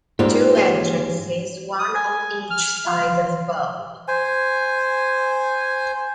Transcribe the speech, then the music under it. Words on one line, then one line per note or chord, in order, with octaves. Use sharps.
Two entrances, one on each side of boul.
G#2 G3 A#3 C4 F4 G4 E5
C#4 G#5 C6
D#6
G#5
F6
F4
C5 G#5